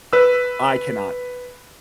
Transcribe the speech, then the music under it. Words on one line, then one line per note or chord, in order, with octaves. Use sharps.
I cannot.
B4 E6